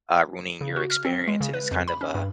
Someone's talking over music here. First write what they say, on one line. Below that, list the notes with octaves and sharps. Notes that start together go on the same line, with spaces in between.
uh ruining your experience, and it's kind of a
C#3
F#4
F6
C4
G#3
C#3
B4
F2
B5
C#4
G2